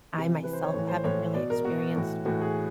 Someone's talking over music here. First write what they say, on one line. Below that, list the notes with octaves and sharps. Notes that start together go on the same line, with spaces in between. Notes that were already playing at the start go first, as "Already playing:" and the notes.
I, myself haven't really experienced
C3 E3
C3 E3 B4
C5
C#5
A2 E3 C#5
C5
A2 E3 C#5
B2 D5
A#4
B2 F#4
A2 E3
A2 E3 F#4
G#4